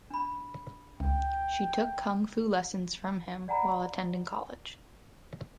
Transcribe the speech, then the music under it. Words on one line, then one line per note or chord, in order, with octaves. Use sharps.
She took Kung Fu lessons from him while attending college.
D4 B5
C#2 G5
D5 F#5 G#5 A#5 B5